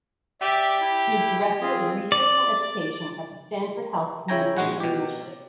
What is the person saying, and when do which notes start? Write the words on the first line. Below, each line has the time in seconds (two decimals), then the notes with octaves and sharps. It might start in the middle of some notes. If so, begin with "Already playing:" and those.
She is Director of Research and Education at the Stanford Health Communication Initiative.
0.41 G4 D5 E5
0.81 E4
1.61 C4 F4 G#4
2.12 D5
4.28 C#3 E4 C#5 G5 G#5 A#5
4.57 A#1 G#3 F#4 F#5 G#5
4.80 B2 G4